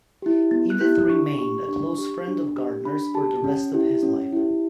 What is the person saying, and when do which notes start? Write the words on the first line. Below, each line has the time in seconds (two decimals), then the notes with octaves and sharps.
Edith remained a close friend of Gardner's for the rest of his life.
0.22 E4 G4
0.51 B3 A6
0.70 F#6
0.80 E4 G4 G6
1.10 D4 C#6
1.39 G4 C#6
1.68 D4 C#6
1.98 G4 C#6
2.28 D4
2.57 G4
2.85 D4 B5
3.15 G4 A5
3.44 C#4
3.74 E4 G4
4.03 C#4
4.32 E4 G4